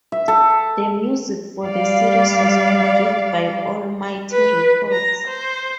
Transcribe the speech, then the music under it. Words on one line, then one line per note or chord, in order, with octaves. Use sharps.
The music for the series was produced by Almighty Records.
E5
A4
G3 D5 F5
B4
A#5
C5